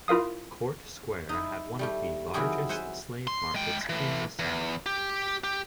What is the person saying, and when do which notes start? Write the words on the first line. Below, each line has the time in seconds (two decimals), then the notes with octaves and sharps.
Court Square had one of the largest slave markets in the South.
0.08 E4 F4 A#4 F5 D#6
1.29 D#4 E4
1.79 G3 A3 G4
2.34 D#3 F#3 C4 E4 G4 G#4
2.69 C5 E5 F#5 G#5 C6
3.27 C6
3.55 G#3 G5
3.89 A2 E3
4.39 E2
4.86 G4
5.44 G4